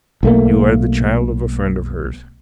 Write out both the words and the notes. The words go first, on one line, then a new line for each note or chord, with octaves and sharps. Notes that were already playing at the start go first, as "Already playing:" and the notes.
You are the child of a friend of hers.
B1 A3 A#3